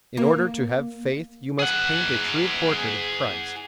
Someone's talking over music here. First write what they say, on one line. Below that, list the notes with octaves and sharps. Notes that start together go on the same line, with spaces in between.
In order to have faith you must paint a true portrait of Christ.
A#3
G#4 F#5